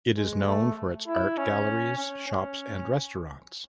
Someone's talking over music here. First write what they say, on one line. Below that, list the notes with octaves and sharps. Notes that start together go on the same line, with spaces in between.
It is known for its art galleries, shops and restaurants.
G#3
A3
E4
C#4
C#4
C#4